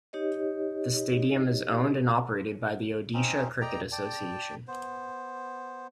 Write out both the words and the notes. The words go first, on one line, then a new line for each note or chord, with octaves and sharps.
The stadium is owned and operated by the Odisha Cricket Association.
D#4 G4 C#5 D#5
C4 C#4 D#4
D5 D#5 G5 A#5
D5 G5 A5
B3 C5